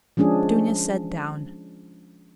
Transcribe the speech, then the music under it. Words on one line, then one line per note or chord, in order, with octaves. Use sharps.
Dounia sat down.
F3 G#3 C#4 D4 G#4